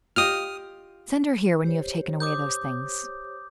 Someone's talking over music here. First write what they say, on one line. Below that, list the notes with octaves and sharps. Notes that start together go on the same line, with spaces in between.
"Send her here when you have taken away those things."
F4 G4 D#5 D#6 F6
G4 C5 C#5
D6 D#6 G6